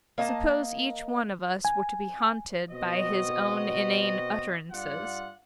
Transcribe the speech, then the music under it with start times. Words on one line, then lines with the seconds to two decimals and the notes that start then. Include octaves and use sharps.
Suppose each one of us were to be haunted by his own inane utterances?
0.18 A#3 D#5 G#5 A5
1.65 G#5
2.71 B2 C4 F#4 D#5
4.72 G2 F4 D5 F#5